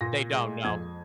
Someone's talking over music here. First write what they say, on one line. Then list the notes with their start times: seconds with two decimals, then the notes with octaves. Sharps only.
They don't know.
0.01 A#2 A#6
0.33 G#3
0.64 F2 G#6